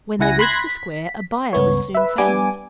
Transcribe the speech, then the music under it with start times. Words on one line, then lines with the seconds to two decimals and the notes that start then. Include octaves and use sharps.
When they reached the square, a buyer was soon found.
0.19 C#2 C#3 E4 F#5 G#5 A#6
0.39 B5 C6 F#6 G#6 A#6
0.59 B6
1.53 C#2 G2 B3 C#5
1.95 B4 E5
2.18 G3 B3 D4 G#5 D6